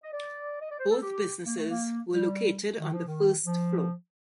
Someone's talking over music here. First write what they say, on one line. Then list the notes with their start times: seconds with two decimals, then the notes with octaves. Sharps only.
Both businesses were located on the first floor.
0.03 D#5
0.13 D5
0.61 D#5
0.71 D5
0.79 C5
0.91 A4
1.02 G4
1.46 A#3
1.58 A3
1.70 A#3
2.13 G3
2.79 D#3
2.93 F3
3.07 D#3
3.46 F3